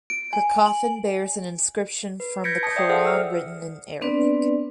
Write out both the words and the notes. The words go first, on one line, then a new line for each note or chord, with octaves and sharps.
Her coffin bears an inscription from the Quran written in Arabic.
D7
G#5
F#7
B4
G6 G#6 A#6 B6 C#7 D7
A5 D#6 G6 C#7
D5 E5 G5 D#6 C7 C#7
G#4 A4 C5 D5 E5 F#5
E6 F6
B3 C4 D4 B4 D5